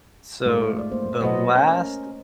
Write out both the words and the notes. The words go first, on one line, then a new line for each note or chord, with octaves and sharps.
So, the last
G#2 A3 F4
D5
A#3 C5
B2 F#3 B3 C5 D#5
C#4 A#4